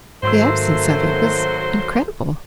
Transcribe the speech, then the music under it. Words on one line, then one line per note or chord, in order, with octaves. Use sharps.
The absence of it was incredible.
G#2 D#3 F#3 A3 A#3 C5 C6 E6